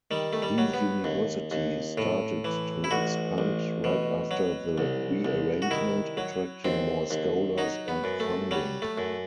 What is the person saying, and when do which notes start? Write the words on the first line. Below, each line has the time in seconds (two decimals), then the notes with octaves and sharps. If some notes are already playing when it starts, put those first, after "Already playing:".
The university started to expand right after the rearrangement, attracting more scholars and funding.
0.11 D#3 G3
0.33 A3
0.42 G3
0.58 F#3
0.74 B3
1.04 D#2
1.51 D#2
1.98 A2
2.44 E3
2.84 E4
2.91 A1 F#4
3.38 A1
3.84 B2
4.31 F#3
4.78 C2
5.25 C2
5.62 F#4
5.71 D#3 E4
6.17 F#3
6.65 D#2 C4
7.11 D#2
7.58 F#3 D#4
7.88 B3
8.04 F#2
8.20 A3
8.51 F#3 G3
8.82 A3
8.98 F#2